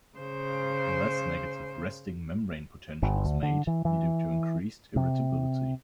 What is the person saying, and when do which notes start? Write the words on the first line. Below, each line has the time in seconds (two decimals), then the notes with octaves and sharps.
A less negative resting membrane potential is made, leading to increased irritability.
0.18 C#3 C5
3.03 G1
3.25 D2
3.43 D3
3.67 E3
3.85 E3
4.96 C3